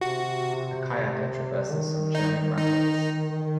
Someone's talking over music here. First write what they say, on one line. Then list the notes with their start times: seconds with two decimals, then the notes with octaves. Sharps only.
A kayaker traverses some churning rapids.
0.01 C3 F#4
1.72 D#3
2.15 D#4
2.58 D#4
3.43 D#3